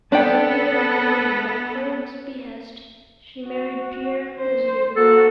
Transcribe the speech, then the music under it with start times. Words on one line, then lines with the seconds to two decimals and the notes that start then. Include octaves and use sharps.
A year later, at Clergue's behest, she married Pierre Lizier.
0.12 B3 D4 A4 D5 G5
3.47 F#4
4.39 C5
4.96 A#3 F#4 A4